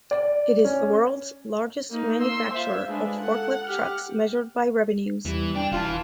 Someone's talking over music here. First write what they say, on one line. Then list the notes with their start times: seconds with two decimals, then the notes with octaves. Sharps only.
It is the world's largest manufacturer of forklift trucks measured by revenues.
0.11 D5
0.65 C#4
1.90 A#3 D#4
2.21 C6 E6
2.53 F4 C5 E5
2.88 G#3 D4 F4 B4
3.20 A4 F#5
3.65 G4 F6
5.25 E2 E3 G3
5.55 D4 G5
5.72 E1 E3 F4 F5 A5